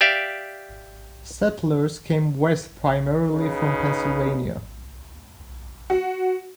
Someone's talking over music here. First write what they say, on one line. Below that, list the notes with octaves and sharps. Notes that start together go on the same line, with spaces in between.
Settlers came west primarily from Pennsylvania.
G4 D5 E5 F5
B1 C#3 D#4 B4
F#4